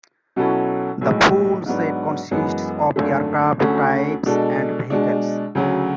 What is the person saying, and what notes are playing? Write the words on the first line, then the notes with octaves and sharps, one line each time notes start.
The full set consists of aircraft types and vehicles.
B2 F#3 C#4 E4 A4
B1 A2 G#3
G#2 F#3 B3 D4
F#2 E3 G#3 B3
G#1 F#2 D3 A3
D2 D3 A3 C#4 F#4
B2 G#3 D4 A4
B2 G#3 D4
D2 C#3 F#3